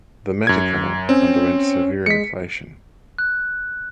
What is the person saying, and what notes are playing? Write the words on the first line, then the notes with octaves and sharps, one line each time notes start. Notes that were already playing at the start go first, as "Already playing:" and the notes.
The metical underwent severe inflation.
F#2 G#6
C4 C#4
G#3 B6 C#7
F#6